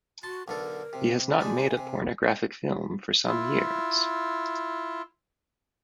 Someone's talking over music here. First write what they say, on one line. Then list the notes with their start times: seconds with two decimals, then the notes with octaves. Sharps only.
He has not made a pornographic film for some years.
0.23 F#4 A5 C6
0.48 B1 D3 A4 A#4
0.93 C3
1.40 G#3 D4 D#4 G#5
1.77 C3
3.27 E4 F4